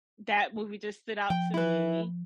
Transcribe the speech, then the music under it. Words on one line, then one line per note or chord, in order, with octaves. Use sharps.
that movie just stood out to me
F3 G5
E4 B4